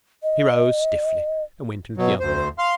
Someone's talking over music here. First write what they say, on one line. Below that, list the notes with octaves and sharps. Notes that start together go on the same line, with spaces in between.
He rose stiffly and went into the other room.
D#5
B2 F#3
D2 C5
F5 C6 F6